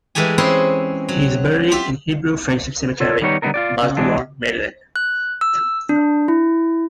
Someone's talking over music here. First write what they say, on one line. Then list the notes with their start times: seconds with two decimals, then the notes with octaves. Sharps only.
He is buried in Hebrew Friendship Cemetery, Baltimore, Maryland.
0.15 E3 G#3 A3 G4 G#5
0.38 C4 C#4 E4 G#4 C5 C6
1.09 F#3
1.71 F4 G4 E5
3.00 F4 A4 C#5 D5
3.21 D#3 G3 B3 D#4 C#5
3.42 D3 G3 A#3 B3 D#4 A#4
3.54 F4 F#4 D5
3.82 C#3
3.97 E3 F#3 G#3 D4
4.96 F#6
5.41 E6
5.89 D4
6.28 E4